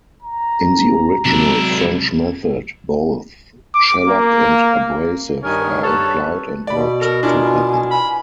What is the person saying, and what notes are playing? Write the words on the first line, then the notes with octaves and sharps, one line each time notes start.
In the original 'French Method', both shellac and abrasive are applied and worked together.
A#5
C3 F#3 G#3 D4 E4
D6
A#3
G2 D#3 D#4 A#4 C#5 G#5
G2 A4 B4 C#5 A5
B2 D5 B5
A4 A#4
D4 E4 F4 A#4 G#5
B5